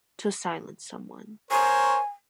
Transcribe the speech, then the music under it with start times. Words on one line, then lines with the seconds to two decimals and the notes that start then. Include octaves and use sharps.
To silence someone.
1.51 A#4 C5 C#5 G#5